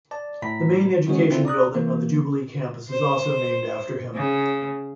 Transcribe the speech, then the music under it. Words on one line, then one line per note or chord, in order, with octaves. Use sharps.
The main education building on the Jubilee Campus is also named after him.
D5 A5
A2 A#5 B5 B6
D#3 F#3 G#3 C#4 F#4 C#5
C4 D4 E4 F4 A4
D5 A#5 D#6 F#6
E3 A#3
C5
C#3